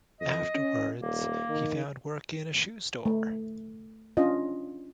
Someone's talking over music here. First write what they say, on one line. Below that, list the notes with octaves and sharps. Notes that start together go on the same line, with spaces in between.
Afterwards, he found work in a shoe store.
F2 D#5
C#4
D#1 A#3
D#3
A3
C#4 D4 F4 D#5